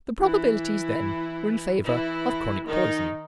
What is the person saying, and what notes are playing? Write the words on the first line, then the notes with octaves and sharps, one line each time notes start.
The probabilities, then, were in favour of chronic poisoning.
E3 E4
E3 E4
D#3 D#4